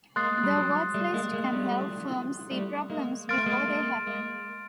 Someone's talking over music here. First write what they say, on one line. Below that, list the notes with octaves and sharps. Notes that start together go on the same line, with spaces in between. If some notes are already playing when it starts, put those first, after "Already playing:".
The watchlist can help firms see problems before they happen.
G#3 A#3 C6 D#6 F#6 A6 C7
G3
F#3 G#3
G3 A3
G#3 A#3
G#3 A#3
G3 A3
G3 A3
G#3 A#3
A#3 C6 F6 A6 D7
A3
G#3 A#3
G#3 A#3
G#3 A#3